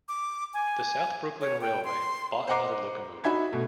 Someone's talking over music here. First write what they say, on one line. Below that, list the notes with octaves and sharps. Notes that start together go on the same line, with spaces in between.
The South Brooklyn Railway bought another locomotive.
D6
G#5
C#5
G5
C6
C5 D#5 F#5 A#5 D6 C7
D#4 F#4 E5 B5 G#6
B2 A3